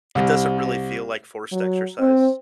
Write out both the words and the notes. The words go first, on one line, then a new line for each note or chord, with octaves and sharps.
it doesn't really feel like forced exercise.
C2
F#3
C4